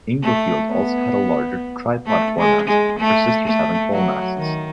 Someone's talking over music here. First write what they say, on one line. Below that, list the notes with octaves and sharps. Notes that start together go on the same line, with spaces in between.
"Inglefield" also had a larger tripod foremast, her sisters having pole masts.
A3
B3
A3
G#3
G#3
A3
A3
F#3
D#3